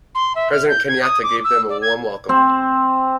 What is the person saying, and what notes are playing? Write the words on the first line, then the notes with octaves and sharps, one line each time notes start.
President Kenyatta gave them a warm welcome.
C6
E5
F6
G6
G#6
D#6
D6
E6
D5
G#6
C4